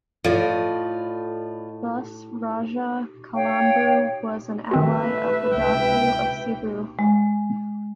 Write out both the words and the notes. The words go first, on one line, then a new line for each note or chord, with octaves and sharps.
Thus Rajah Calambu was an ally of the Datu of Cebu.
A2 F4 D5 D#5
C#5 F5 G5
D#3 A3 C4 F#4 B4 E5
C#2 C3 G5
G#3